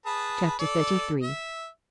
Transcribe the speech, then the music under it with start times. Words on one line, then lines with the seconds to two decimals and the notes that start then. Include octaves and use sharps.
Chapter XXXIII.
0.06 G#4 B4 A5
0.59 A4 D5
1.23 E5